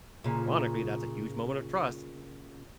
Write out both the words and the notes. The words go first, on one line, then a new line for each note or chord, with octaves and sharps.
ironically, that's a huge moment of trust.
A#2 C#3